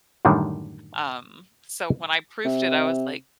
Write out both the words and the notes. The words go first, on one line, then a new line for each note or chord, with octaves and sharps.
um, so when I proofed it, I was like,
F#2 A2 D3 D#3 F#3 G3
C3